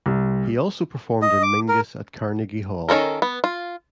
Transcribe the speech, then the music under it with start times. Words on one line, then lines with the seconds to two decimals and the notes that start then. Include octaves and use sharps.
He also performed in Mingus at Carnegie Hall.
0.06 C2
1.22 D#5
1.43 D6
1.68 A#4
2.89 D#3 C#4 A4 A#4
3.22 B3
3.44 F4